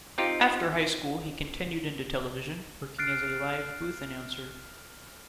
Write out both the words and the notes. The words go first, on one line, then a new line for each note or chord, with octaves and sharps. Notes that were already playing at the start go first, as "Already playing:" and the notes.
After high school he continued into television, working as a live booth announcer.
C4 D#4 F4 G4
F6 F#6 A6 C7 D7